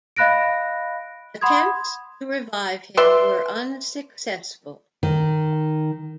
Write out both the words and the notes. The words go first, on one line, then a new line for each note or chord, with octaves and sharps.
Attempts to revive him were unsuccessful.
D#5 F5 B5 F#6 A#6 D7
F#5 B5 C6 D#6 G#6
B4 D5 E5 C6
D#3